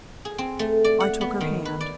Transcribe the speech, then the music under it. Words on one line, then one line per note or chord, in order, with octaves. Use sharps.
I took her hand.
G#4
C4
A3
D5
F#5
B3
D#3
B4
D5